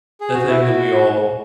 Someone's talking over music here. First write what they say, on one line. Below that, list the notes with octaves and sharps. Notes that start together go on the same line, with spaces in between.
the thing that we all
G#4
F#4
E4
F#4